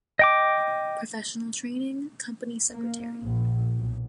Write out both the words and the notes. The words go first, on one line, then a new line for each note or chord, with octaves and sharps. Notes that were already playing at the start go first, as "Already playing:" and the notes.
Professional training : Company Secretary.
D#5 G5 D6
A#3
A#1
B1